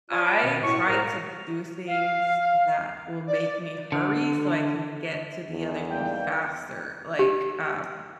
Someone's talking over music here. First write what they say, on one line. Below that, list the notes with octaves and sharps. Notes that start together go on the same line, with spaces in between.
I try to do things that will make me hurry so I can get to the other thing faster. Like, um,
F4 C#5 D5
C#5 F5 A5 B5 D6
B2 D#3
A2 C#6
C2 A#4 C5 F5 A#5 F6
F5
D5
D3
E2
D#3 G3 A#3 G5
G4